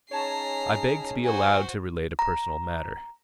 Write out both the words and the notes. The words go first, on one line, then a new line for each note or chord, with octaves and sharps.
I beg to be allowed to relate a personal matter.
C#4 D#4 G#4 C#5 A5 A#5 C7
F#4 C5 G#5
A#5